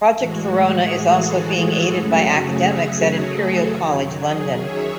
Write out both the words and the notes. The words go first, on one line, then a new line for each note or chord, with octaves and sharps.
Project Verona is also being aided by academics at Imperial College London.
A2 E3 G#3 F#4
G#4
F#4 A4
G#4
F#2 C#3 F#3 A3 F#4
G#4
G#4
F#4 A4
F#2 D#3 F#3
G#4
C#5 E5